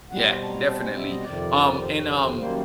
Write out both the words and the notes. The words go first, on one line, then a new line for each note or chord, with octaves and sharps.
Yeah, definitely, um and, um,
B2 G3 C4 F#5
A5
A#5
A5
G#5
E5
D#5
F2 C3 D#3 D5
C5
C#5
C#5
C5
F#2 D#3 G3 A#3 C5